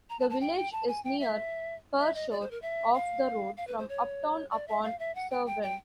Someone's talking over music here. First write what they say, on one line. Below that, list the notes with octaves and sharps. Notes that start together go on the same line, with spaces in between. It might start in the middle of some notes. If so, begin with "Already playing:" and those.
The village is near Pershore, off the road from Upton-upon-Severn.
A#5
A5
A5
G5
G5
A5
G#5
G5
E5
E5
D#5
D5
C5
A#4
E5
F5
F5
B4
C5
C#5
D5
E5
F5
E5
F#5
G5
G5
G5